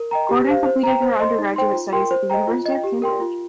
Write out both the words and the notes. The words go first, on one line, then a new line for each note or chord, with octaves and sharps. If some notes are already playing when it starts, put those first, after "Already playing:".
Gordon completed her undergraduate studies at the University of Cambridge.
Already playing: A#4
D#5 G5 A#5
G4
C5 F5
C5
G5 A#5
C5
D#5 C6
D#4
C5 G5 C6
F4
A#4 G5 C6
C5
D#5 G5 A#5
F4
D#5 G5
G4
A#4 G5 C6
F4